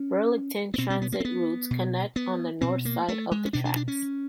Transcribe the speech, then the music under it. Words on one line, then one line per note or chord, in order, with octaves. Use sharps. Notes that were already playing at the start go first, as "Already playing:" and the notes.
Burlington Transit routes connect on the north side of the tracks.
Already playing: C#4
B3
B2 C4
C4
B3
A#3
C4
B3
B2
B3
B2 C4
A#3
A3
G#3
C#4
B2 D4
D4
D4
C#4